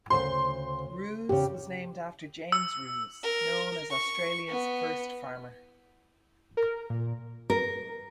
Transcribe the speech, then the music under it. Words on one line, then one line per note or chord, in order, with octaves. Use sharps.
Ruse was named after James Ruse, known as Australia's first farmer.
D2 C#3 C5 C6
E2 C#3 G4
E6
A#4
C#6
B3
A#4
A#2
A#4